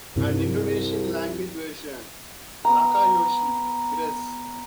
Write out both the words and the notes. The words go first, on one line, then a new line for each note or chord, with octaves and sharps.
An Indonesian language version, Nakayoshi: Gress!
C2 G2 C3
B3 A#5